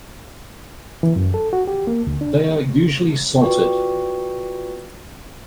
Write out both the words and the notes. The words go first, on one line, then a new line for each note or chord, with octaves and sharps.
They are usually salted.
E3
F#2
A4
F#4
G4
A#3
D2
D4
F4 F#4 B4 D5 G5 C#6